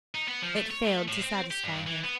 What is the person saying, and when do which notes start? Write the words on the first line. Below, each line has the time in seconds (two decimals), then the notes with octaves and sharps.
It failed to satisfy her.
0.15 D#4
0.28 B3
0.42 F3
0.57 A3
0.71 C#5
0.85 A3
1.08 A2
1.22 C4
1.51 G4
1.64 G2
1.87 E3
2.04 B3